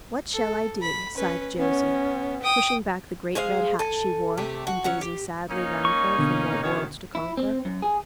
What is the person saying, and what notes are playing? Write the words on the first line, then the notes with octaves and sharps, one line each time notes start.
'What shall I do?' sighed Josie, pushing back the great red hat she wore, and gazing sadly round her for more worlds to conquer.
A4
B5
C#4 B4
B3 C#4
G5 D#6
G#3 G#4 C5 F5
A4 G#5
C3 A3 G4
F#4
F#3 C#4 F#5
G4
A#3 C#4 D#4
C#6
B2 D3
F#2 D#3 C#5
E4
C4
F#2
G#4